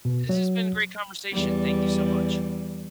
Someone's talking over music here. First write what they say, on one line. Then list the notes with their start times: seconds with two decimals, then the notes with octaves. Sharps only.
This has been a great conversation. Thank you so much.
0.05 B2
0.29 F#3
1.31 E2 G3